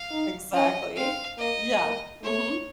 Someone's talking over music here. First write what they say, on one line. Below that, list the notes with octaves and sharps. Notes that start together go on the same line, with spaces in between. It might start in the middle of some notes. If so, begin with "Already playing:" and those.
Exactly. Yeah. Mhm.
Already playing: F5
D#4
C#4 D#5
C4 F5
A#3 D#5
A#3
A3 C#5